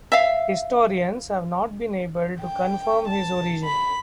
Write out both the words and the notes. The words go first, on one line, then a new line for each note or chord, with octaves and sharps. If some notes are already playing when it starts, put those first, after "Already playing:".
Historians have not been able to confirm his origin.
E5 F5
G5
A5
B5